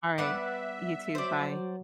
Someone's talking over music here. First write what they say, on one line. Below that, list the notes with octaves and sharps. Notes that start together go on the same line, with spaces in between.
Alright, you too, bye.
G3 B3 D5 E5 F#5
F#3 C5 D5